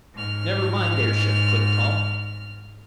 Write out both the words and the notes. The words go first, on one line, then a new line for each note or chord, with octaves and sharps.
"NEVER MIND AIRSHIP," clicked Tom.
G#2 F6